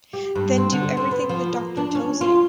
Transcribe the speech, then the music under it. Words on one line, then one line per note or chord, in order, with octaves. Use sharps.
Then do everything the Doctor tells you.
G4
G2
C4
D3
C4
B3
F3
A#3
D4
C#4
F4